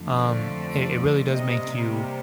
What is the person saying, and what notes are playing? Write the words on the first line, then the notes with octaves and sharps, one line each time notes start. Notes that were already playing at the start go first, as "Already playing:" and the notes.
um, it it really does make you
Already playing: F2 D3 F3 A3
D5
C3 G3 A#3 D#5